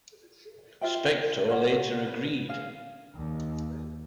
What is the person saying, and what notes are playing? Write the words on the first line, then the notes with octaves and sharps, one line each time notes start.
Spector later agreed.
F4 C5 E5 G5
F4 C#5 F#5
B4
G#4 F5
D#2